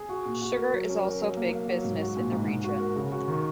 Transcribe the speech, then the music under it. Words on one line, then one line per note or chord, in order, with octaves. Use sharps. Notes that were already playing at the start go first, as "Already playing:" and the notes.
Sugar is also big business in the region.
Already playing: G#4
F#4
A#2
F#4
A#4
F#3
C#4
A#4
F#3
A#3
A#3
F#3
G#2
F#4
A#2
G#2
G#2
F#4
A#4
C#3
F#4
D#3